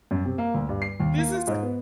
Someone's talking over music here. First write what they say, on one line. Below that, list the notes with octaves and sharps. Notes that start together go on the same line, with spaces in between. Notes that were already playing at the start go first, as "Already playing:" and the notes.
This is
F#2
C3
A#3
D2
G2
C7
D#2
A#3
F4
G#2
B3